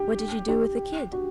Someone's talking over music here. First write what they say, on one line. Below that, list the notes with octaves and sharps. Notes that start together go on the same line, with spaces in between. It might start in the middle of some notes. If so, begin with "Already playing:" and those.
'What did you do with the kid?'
Already playing: G4
G4
F#4